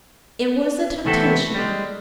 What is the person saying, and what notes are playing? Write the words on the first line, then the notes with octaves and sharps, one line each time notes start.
It was a temptation.
C3 E3 A3 B3 C4 A4
G3 G#3